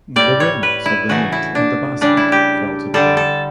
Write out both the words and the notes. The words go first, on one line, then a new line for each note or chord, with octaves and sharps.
The remnants of the net and the basket fell to the ground.
A2 G3 D5
C#5
B4
E4
C#3 E3 A3 F#4
E4
D4
C#3 G3 D4
E4
G4
D3 G3 A4
A4